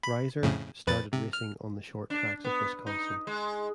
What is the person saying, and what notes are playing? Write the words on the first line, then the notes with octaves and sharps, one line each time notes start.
Reiser started racing on the short tracks of Wisconsin.
B5
F2 A2 C#3
F2 B4 A6
C3
F6
D4
B3
D#4
G#3